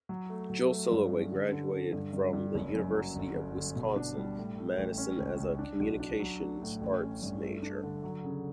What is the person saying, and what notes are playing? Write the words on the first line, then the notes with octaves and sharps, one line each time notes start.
Jill Soloway graduated from the University of Wisconsin-Madison as a communications arts major.
F#3
A3
F#3
A3
G2
C#4
D3
D3
D3
G2
G2
G2
F#1
F#2
F#3
G1
G1
G1
B2
D4
G3
A2
A3
A1
C#4
C#2
C#2
D4
B1
D4
F#3
D4
A2
A1
C#4
G2
A3
D4
D3
F#3
C#3